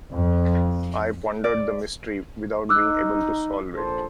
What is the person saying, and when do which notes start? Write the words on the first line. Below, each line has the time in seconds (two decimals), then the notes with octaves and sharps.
I pondered the mystery, without being able to solve it.
0.14 F2
1.44 D5
2.69 D#4 D6 E6 F#6
3.75 A#1 A4 C5